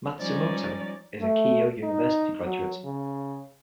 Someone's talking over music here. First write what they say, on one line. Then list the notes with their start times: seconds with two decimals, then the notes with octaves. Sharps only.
Matsumoto is a Keio University graduate.
0.16 F3 G3 G#3 C#4 D#4 D5
1.22 A3
1.83 D#4
2.44 F#3
2.85 C#3